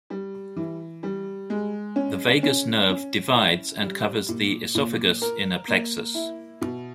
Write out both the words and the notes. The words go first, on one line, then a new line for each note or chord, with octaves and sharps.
The vagus nerve divides and covers the esophagus in a plexus.
G3
E3
G3
G#3
C#4
C#4
C#4
E4
G3
A#2
A#2
A#4
A#3
E4
B2